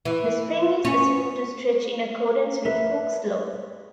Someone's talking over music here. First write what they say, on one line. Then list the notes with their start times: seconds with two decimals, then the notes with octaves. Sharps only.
The spring is assumed to stretch in accordance with Hooke's Law.
0.05 E3
0.85 C#4
2.65 A#4 B4 E5